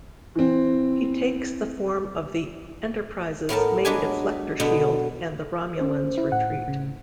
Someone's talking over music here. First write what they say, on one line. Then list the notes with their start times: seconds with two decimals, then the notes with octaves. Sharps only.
He takes the form of the "Enterprise"s main deflector shield and the Romulans retreat.
0.35 E3 C4
3.49 A2 B3 A#4 A5
3.85 F#3 G#3 D4 B4 G#5
4.60 B2 D3 B3
5.77 C#4 C5
6.18 E4
6.32 A2 F#5
6.68 C#3